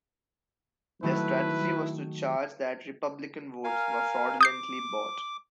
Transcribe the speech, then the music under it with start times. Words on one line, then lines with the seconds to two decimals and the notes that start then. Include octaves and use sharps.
Their strategy was to charge that Republican votes were fraudulently bought.
1.03 D#3 F#3 A3 E4 B4
3.64 A#4 F5 G#5
4.41 D6 D#6 G6 C7